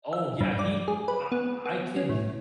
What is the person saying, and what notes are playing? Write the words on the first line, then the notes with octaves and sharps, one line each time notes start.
Oh yeah, he I I could d
E5
G2
D5
G#4
B4
B3
B3
C#4
A2